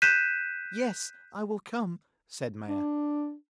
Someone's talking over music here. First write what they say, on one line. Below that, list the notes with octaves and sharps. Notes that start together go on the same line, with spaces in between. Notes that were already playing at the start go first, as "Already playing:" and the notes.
'Yes, I will come,' said Maia.
F#6 G6 B6 D#7 E7
D4